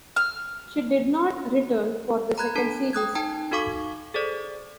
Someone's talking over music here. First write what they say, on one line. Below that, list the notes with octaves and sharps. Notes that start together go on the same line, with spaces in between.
She did not return for the second series.
F6
A#5 B5 F#6 G#6
D4 A4 A5
G5 D#6 F#6 G#6
D#4 G5 A5
D#4 F#4 A4 F5 C#6 D6
G#4 A4 C5 D5